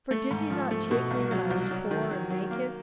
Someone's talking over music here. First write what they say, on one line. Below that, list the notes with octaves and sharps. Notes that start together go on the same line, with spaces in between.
For did he not take me when I was poor and naked?
A3
G#2
F3
A3
B2
C2
F#3
C2
F#3
D#3
F#3
F#3
A#3